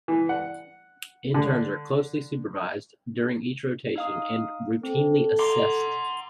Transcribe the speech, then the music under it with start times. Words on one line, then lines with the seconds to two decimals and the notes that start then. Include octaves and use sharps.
Interns are closely supervised during each rotation and routinely assessed.
0.08 E3
0.29 F#5
1.34 D3
3.96 D#4 F5 D#6
4.83 C4 A4
5.39 F#5 A#5 C6 D6